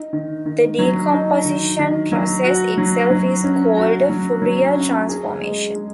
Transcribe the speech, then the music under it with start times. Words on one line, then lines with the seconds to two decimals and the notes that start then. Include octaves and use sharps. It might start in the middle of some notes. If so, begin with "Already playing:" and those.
The decomposition process itself is called a Fourier transformation.
Already playing: D#4
0.13 D#3
0.46 D#3
0.79 F#3
1.12 D#4
1.45 D#3
1.79 D#3
2.12 F#3
2.44 F#4
2.78 F#3
3.11 F#3
3.44 C#4
3.77 F#4
4.09 F#3
4.42 F#3
4.75 C#4
5.09 G#4
5.41 G#3
5.75 G#3